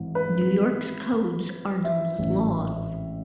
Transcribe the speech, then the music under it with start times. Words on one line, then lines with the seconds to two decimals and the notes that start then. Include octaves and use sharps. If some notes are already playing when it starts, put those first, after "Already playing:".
New York's codes are known as Laws.
Already playing: G#1 G#2 E3
0.15 B4
1.84 E5
2.19 A1 G#2 E3